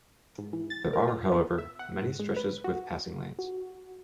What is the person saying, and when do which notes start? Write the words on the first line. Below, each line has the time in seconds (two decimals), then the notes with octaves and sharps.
There are, however, many stretches with passing lanes.
0.38 G#2
0.53 E3
0.70 A6
0.93 A#4
1.08 F4
1.32 B3
1.58 E5
1.79 F#5
2.05 G#2
2.20 G#3
2.36 B4
2.64 F#4
3.39 F#4